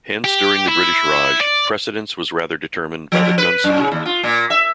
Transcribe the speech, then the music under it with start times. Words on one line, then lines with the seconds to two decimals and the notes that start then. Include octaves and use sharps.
Hence during the British raj, precedence was rather determined by the gun salute.
0.24 G4
0.68 E4
1.41 D5
3.12 F3
3.38 B4
3.64 F#2
3.80 C#3
3.92 D#2
4.05 F4
4.23 A#2
4.50 E5